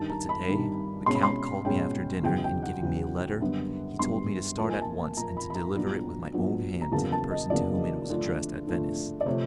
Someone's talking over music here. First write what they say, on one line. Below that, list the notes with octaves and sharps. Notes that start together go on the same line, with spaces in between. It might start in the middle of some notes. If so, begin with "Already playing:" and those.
But to-day the count called me after dinner, and giving me a letter, he told me to start at once and to deliver it with my own hand to the person to whom it was addressed at Venice.
Already playing: G2 D#3 G3 A5
A#5
B5
G2 D#3 G3
B2 G#3 C#4 C6
B5
C6
B2 G#3 C#4 G5
E2 C#3 F#3 G5
G5
F#5
E2 C#3 F#3
F#2 D3 G3 B3
F#2 D3 G3 B3 C6
A#2 F3 A#3 A5
G#5
A5
A#2 F3 A#3 A#5
B5
B5
A#5
A#2 F#3 B3 D4
A#2 F#3 B3 D4
A#5
E2 C#3 F#3 A#3 A5
A5
D#5
E2 C#3 F#3 A#3 D5
D3 F3 A3 D4
D3 F3 A3 D4
D5
C3 F3 A3 C#5